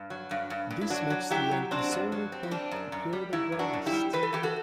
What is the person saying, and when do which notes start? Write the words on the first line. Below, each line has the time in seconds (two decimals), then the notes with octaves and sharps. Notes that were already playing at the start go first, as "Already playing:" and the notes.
This makes the antisolar point appear the brightest.
Already playing: G2
0.10 F#3
0.31 G2
0.50 G2
0.70 G2
0.81 E4
0.90 F#3 D4 F#4
1.10 F#3
1.30 F#3 E4 G4
1.51 F#3
1.71 C4 D4 F#4
1.91 G2
2.12 F#3
2.32 C4
2.43 E4
2.51 G3 D4
2.71 F#2
2.92 F#2
3.13 G3
3.33 F#2 E4
3.52 F#2
3.59 D4 F#4
3.73 F#2
3.86 E4 G4
3.92 G3
4.13 E3 B4
4.23 A4
4.33 E3 G4
4.43 F#4 A4